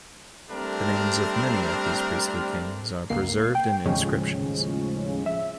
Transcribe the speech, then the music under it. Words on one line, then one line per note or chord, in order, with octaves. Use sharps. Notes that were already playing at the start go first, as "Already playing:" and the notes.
The names of many of these priestly kings are preserved in inscriptions.
G3 A3 C4 D4 A#4
C#2 A#3 C7
G5
D#2 A2 C#3 F3 G#3 C#4
E5